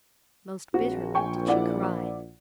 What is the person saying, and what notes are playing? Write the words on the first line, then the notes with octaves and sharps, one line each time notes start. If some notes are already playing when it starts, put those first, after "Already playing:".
Most bitterly did she cry.
A#1 C4 F#4
G5 G#5 C#6
E4 D5 F#5